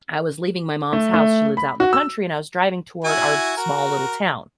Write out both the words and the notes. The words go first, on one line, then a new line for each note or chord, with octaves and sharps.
I was leaving my mom's house- she lives out in the country- and I was driving toward our small little town.
A3
A3
B5
F#4
E6
E4 F#4 G#5
F#4 A#4